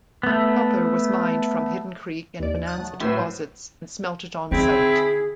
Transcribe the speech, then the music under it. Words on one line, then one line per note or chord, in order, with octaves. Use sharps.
Copper was mined from Hidden Creek and Bonanza deposits and smelted on site.
A3 B3
D#2 D5
D#6 F#6 A6
F#3 A3
A2 F#3 B4 C5 E5
D3 C4 D#4 E4 G#4